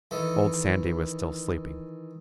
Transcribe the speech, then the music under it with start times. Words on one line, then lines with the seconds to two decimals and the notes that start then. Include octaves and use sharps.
Old Sandy was still sleeping.
0.11 D#3 E3 A4